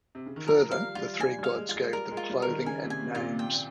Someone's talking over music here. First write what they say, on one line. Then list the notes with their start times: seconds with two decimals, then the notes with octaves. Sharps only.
Further, the three gods gave them clothing and names.
0.15 C3
0.26 C#3
0.36 D#3
0.47 F3 A#4
0.71 G3 F5
0.95 G3 F4
1.20 G3 G#5
1.39 G3
1.44 F5
1.56 G#3
1.69 F4
1.74 G#3
1.93 G3 A#4
2.11 G#3
2.17 F4
2.30 G3
2.42 A#4
2.48 D#3
2.65 C#3 G#5
2.84 C3
2.90 G#5
3.15 A#2 F4
3.20 C3
3.39 G5